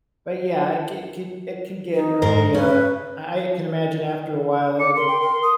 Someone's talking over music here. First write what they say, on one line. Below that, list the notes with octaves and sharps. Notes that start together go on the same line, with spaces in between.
But, yeah, it could could it can get really, uh I I can imagine after a while it would
D#4
G#2 A#4 C5
C#4 B4
D6 C#7
A#4 C6
G5
A#4
D#6